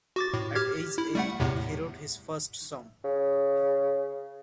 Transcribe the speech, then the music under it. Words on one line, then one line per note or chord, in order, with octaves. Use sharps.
At age eight, he wrote his first song.
F#4 D6 A6
A2
G4 F6 G#6
E4
G3 A3 F#5
E2 A2 C3
C#3